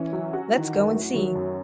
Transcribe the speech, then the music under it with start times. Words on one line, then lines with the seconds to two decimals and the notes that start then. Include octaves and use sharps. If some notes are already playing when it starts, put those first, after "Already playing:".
Let's go and see.
Already playing: E3 C#4
0.13 F#3
0.33 F#4
0.54 D#3 E3
0.74 F#2
0.94 A3
1.14 D#3 F#3
1.35 F#2